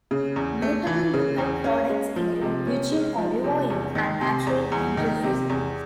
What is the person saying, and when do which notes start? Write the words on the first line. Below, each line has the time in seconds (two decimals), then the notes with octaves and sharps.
Notable local products include virgin olive oil and natural pine resin.
0.11 C#3
0.36 E2
0.62 A3
0.87 E3
1.14 C#3
1.38 E2
1.64 C#4
1.89 G#3
2.16 F3
2.41 C3
2.67 C#4
2.92 G#3
3.18 F3
3.44 C3
3.70 E2
3.95 D#3
4.21 C3
4.47 E2
4.72 E2
4.97 D#3
5.24 C3
5.50 E2